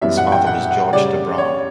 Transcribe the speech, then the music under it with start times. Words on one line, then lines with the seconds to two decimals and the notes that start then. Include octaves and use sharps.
His father was George Tabrar.
0.02 F#2 E3 G3 B3 E5
0.17 F#5
0.32 G5
0.47 F#5
0.70 F#5
0.93 C#3 G3 C#4 D5
1.38 C#5